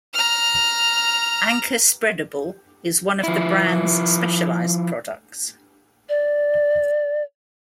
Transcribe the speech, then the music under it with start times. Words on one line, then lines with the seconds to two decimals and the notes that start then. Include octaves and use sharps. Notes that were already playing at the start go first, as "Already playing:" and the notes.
Anchor Spreadable is one of the brand's specialised products.
0.14 A#5 F6
3.23 F3 E4
6.09 D5